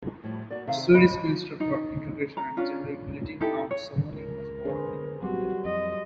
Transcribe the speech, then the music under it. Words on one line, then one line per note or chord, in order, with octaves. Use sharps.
The Swedish Minister for Integration and Gender Equality, Nyamko Sabuni, was born in Burundi.
A2 F3 G3
A#3 F#4 D5
C3 D#3 E5 F5
C#4 C5 D5 D#5 B5
D#4
A#5
C#4 D4 F4
D#4 E4 G4 A4
C#5
C#2 A#4
D3 D4 G#4 B4 C5
A#1 F#3 G3 C4 F#4 C6
F2 D#5